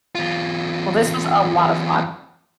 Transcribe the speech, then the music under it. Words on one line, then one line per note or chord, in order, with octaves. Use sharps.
Well, this was a lot of fun.
E2 F4